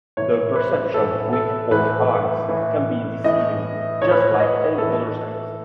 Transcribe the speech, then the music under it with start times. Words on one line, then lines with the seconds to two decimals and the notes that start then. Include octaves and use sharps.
The perception with our eyes can be deceiving just like any other sense.
0.17 A2 E3 C#5
0.56 B4
0.94 A2 E3 A4
1.33 A4
1.71 A2 E3 B4
2.48 A2 E3
3.24 A2 E3 D#5
4.02 A2 E3 C#5
4.11 B4
4.21 C#5
4.40 D#5
4.78 A2 E3 A4